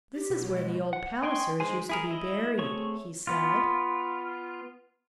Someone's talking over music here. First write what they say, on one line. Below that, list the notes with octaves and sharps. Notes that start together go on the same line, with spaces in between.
"This is where the old Pallisers used to be buried," he said.
G4
B2
F#3
G#3
F#5
D#5 G5 G#5 C6 C#6
D#3 G#3 G#4 C5 G#5
E4 G#4 A#4
E4 D#5
A3 C4 G#4 C#5 C#6
B3 F4